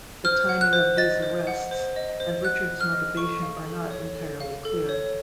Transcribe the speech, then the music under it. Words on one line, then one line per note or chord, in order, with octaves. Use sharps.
The timing of these arrests and Richard's motivation are not entirely clear.
C5 F6
F#5
F#6
C5
D#5 A6
C5
F#5
C5
D#5
C5
F#5 F#6
C5
F6
D#5
A4 C#6
F5
A4
C#5
A4
F5
A4
C#5